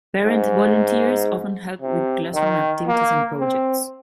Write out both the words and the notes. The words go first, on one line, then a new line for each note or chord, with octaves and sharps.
Parent volunteers often help with classroom activities and projects.
G#2
C3
D#3
A#3
C4